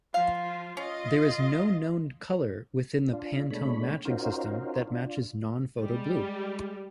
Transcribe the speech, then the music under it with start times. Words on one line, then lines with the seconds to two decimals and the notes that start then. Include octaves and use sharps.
There is no known colour within the Pantone Matching System that matches non-photo blue.
0.14 F3 F4 F5
0.77 C#4 F4 D#5
3.13 D4 F4
3.51 B2 G#3 A3 D4 C#5 B5
4.05 C#4 D#4 F4 F#4 A#4 C5
4.88 D4 F4
5.81 G3 G#3